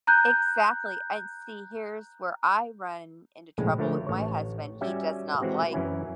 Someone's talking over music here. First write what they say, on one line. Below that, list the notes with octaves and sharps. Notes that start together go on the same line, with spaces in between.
Exactly, I'd see, here's where I run into trouble with my husband. He does not like
A#5 F#6 G6
A#1 A2 C#3 G#3
D3 F3 A3 A#4 C#5
A1 C#5
G3 C#4 F#4 E5 G5 G#5
E3 G#3 C4 F#4 G4
F#2 E3 C#4 E4